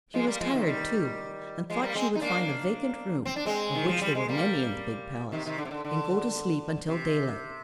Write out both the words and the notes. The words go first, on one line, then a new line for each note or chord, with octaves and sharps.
She was tired, too, and thought she would find a vacant room--of which there were many in the big palace--and go to sleep until daylight.
F3 G#3
G3 A#3
F3 G#3
C3 D#3
D#3 G3
F3 G#3
G3 A#3
G#3 C4
D#4
A#3 D4
C4
D4
G#3 C4
D#3
F3
G3
G#3
G3 A#3
C3 D#3
C3 D#3
D3
C3
D3
D3
C3